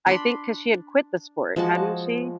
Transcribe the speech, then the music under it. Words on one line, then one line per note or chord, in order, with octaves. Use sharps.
I think 'cause she had quit the sport, hadn't she?
D4 B5 C6
F3 G#3 F#4 A5